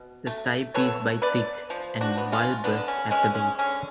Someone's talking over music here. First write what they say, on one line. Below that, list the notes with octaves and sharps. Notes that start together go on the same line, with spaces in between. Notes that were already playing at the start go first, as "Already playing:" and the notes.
The stipe is by thick, and bulbous at the base.
Already playing: B2
A3
B3 A4 C#5
B3 B4 D5
F3
D4 F#4
B3
C#4 F4
D3 B3 D4
C#4
G#3 C#4
C#4
D3 C#4